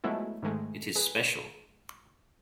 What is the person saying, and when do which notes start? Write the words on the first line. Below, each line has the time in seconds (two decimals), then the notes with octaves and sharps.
It is special.
0.04 F3 F#3 G#3 A3 B3 E4
0.42 G#2 D#3 G#3 A3
0.95 G#4 B4